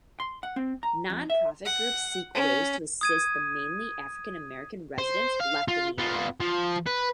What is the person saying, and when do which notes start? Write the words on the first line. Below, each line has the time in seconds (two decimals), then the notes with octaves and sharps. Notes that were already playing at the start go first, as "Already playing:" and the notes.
Non-profit groups seek ways to assist the mainly African-American residents left in the area.
0.20 C6
0.43 F#5
0.56 C4
0.83 A#5
1.10 F2
1.30 E5
1.65 F#5
2.34 C#4
3.01 D#6 G#6 D#7
4.98 C5
5.40 F5
5.68 F4
5.98 B3 F4
6.40 F3
6.87 B4